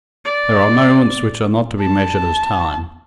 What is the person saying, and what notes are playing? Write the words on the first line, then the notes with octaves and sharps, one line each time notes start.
There are moments which are not to be measured as time.
D5
A5